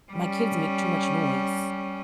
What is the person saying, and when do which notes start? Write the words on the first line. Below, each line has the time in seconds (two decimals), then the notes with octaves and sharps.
my kids make too much noise,
0.12 G3 C#4